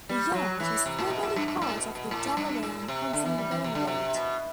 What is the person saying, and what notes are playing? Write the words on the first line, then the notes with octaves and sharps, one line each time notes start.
The yard was formerly part of the Delaware and Hudson Railroad.
G3
F#3
E3
C3
A2
B2
A2
G2
G2
A2
B2
B2
A2
G2
A2
C3
D3
E3
G3
E3
C3
D3
C3
B2